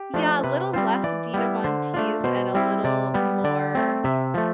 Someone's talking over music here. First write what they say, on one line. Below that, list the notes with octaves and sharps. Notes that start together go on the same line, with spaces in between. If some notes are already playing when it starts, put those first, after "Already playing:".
Yeah, a little less Dita Von Teese and a little more
Already playing: G4
F3 A3 D4
C3 B4
G3 C4 F4 C5
E3 D5
G3 B3 E4
D3 C5
A3 D4 F4
B2 C5
G3 C4 E4
C3 D5
G3 B3
D3 D5
A3 C4
C3 E5
F3 A3